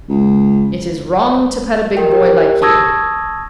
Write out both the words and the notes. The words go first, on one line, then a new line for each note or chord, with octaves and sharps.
It is wrong to pet a big boy like you.
C#2
G4 A#4 D#5 G5
A5 C#6 D#6 E6 G#6 A#6